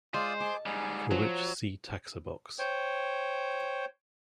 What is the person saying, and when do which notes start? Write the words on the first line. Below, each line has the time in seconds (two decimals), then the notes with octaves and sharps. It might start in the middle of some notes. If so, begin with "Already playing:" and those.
For which see taxobox.
0.14 G#3 F4 C5 D5 D#6
0.40 G#4 A5 D6
0.66 G#2 G3 G#4
1.11 F3 F#3
2.59 C5 C#5 G5